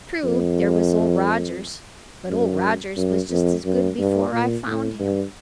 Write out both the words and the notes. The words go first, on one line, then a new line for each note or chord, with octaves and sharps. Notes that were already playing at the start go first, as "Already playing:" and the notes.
True there was Old Rogers; but Old Rogers was just as good before I found him.
F2
F#2
F#2
F2
F#2
G2
A#2
A2
G2